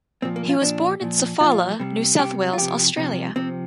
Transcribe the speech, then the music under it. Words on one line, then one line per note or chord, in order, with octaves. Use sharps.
He was born in Sofala, New South Wales, Australia.
A#2 F3 C4
A#3
F4
A#2 F3 D4
A#2 F3
A#2 F3 F4
C3 G3
C3 G3 G4
F4
C3 F3 G4
C3 F3
C3 F3 C4